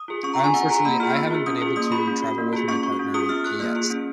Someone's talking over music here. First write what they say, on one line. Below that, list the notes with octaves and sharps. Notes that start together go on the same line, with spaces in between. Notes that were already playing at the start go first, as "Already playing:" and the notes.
I unfortunately, I haven't been able to travel with my partner yet,
Already playing: D#6
F4 G#4
C#4 C#6
A#5
F4 G#4
G#5
B3 F#5
F4 G#4 A#5
A#3 B5
F4 G#4 F6
B3
F4 G#4
C#4 D#6
F4 G#4
A#3 D#6
F4 G#4 B5
C#4
F#4
A#3
F4 G#4
C#4 C#6
F#4
C#4
F4 G#4 D#6
B3 F6
F4 G#4 F#6
A#3 F6
F4 G#4
C#4